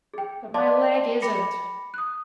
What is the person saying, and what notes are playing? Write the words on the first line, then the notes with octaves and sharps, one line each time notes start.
But my leg isn't.
G#4 G5
D5 D#5 F5 A5 C6 D6
G5 B5 D6 A#6 C#7
D#6 F#6